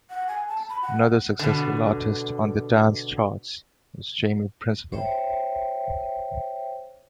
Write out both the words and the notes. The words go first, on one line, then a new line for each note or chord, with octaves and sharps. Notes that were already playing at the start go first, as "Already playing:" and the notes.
Another successful artist on the dance charts was Jamie Principle.
F#5
G#5
A5
B5
F#5
B2 D3
C5 C#5 E5 G5